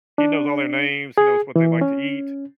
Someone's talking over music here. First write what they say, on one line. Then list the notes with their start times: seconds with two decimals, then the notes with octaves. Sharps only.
he knows all their names, he knows what they like to eat.
0.18 D4
1.18 G#4
1.56 E3
1.81 C#4